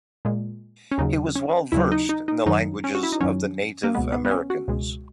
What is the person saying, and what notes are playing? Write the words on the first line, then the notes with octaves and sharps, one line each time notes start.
He was well versed in the languages of the Native Americans.
A#2 G#3
C#4
D#2 C#3 F#3 D#4
C#4
D#2 C#3 F#3 E4
D#4
D#4
D#4
F#2 D#3 F#3 D#4
C#4
F#4
E4
D#4
F#2 D#3 F#3 C#4
A#3
C#2 B2 G#3 B3
B3
B3
C#4
F#4
C#2 B2 G#3